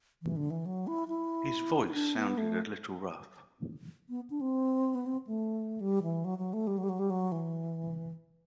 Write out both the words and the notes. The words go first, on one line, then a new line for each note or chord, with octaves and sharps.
His voice sounded a little rough.
E3
D3
E3
F#3
E4
E4
E4
D4
B3
A3
B3
D4
C4
B3
C4
A3
G3
E3
F#3
F#3
A3
G3
F#3
G3
F#3
G3
F#3
E3